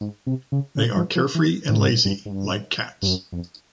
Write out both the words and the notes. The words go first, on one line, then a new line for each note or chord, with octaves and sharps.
They are carefree and lazy like cats.
G#2
C3
C#3
C#3
F3
F3
E3
A2
G#2
G2
G#2
G2
G2
F#2
F2